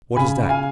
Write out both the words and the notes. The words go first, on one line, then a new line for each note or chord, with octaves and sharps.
"What is that?"
C#3 G#5 B5
C#3
F5 G#5